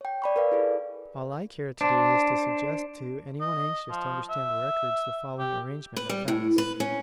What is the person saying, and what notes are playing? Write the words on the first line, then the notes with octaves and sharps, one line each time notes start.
All I care to do is to suggest to any one anxious to understand the records the following arrangement of facts.
C#5 G5
D5 B5 C#6
A#4 B4 D5 F5
E4 G#4 A4
D4 C5
D#5
F3
E5
G4
B4
G3
A2
B4
C#4